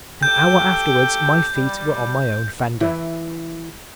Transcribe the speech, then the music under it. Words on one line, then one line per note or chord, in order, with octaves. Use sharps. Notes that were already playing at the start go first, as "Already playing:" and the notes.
An hour afterwards my feet were on my own fender.
G4 A4 G5 G6
G3
E3 E4